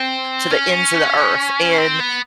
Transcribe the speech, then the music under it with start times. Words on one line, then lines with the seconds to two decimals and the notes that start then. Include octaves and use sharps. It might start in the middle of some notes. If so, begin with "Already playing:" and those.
to the ends of the earth, and,
Already playing: C4
0.51 C#4
1.78 C4
2.00 B3